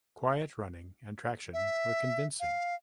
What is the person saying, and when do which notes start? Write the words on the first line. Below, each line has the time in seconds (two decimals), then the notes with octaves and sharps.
Quiet running and traction were convincing.
1.54 E5
2.40 F5